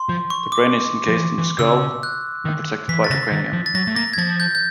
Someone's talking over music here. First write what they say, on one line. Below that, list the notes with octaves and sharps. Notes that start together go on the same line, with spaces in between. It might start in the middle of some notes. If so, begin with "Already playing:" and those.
The brain is encased in the skull, and protected by the cranium.
Already playing: C6
F3
C#6
D6
F3
E3
E3
C#3 E6
F#6
D#3
E3 B6
A6
C#3 A#6
D#3
F3
A6
F#3 A#6
A3
A#3 A#6
G#6
F3 A6
G6
G6